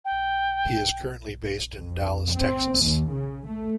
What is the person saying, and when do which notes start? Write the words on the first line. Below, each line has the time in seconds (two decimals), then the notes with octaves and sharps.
He is currently based in Dallas, Texas.
0.05 G5
1.75 F2
2.35 C4
2.80 D#2
3.13 C#3
3.47 A3